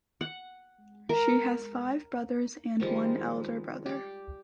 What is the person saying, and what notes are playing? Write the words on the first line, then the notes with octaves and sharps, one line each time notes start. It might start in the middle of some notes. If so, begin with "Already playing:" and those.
She has five brothers and one elder brother.
F#5
A#4
D#3 F3 G3 G#3
G4 D5